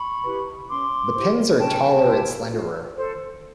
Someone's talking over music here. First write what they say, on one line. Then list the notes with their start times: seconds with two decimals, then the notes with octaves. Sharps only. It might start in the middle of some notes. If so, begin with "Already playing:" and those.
The pins are taller and slenderer.
Already playing: B5 C#6
0.24 E4 G4 B4
0.69 C#4 C6 D6
1.15 E4 G4 C5
1.59 C#4 G5 A5
2.05 E4 G4 C5
2.50 F4
2.96 A4 C5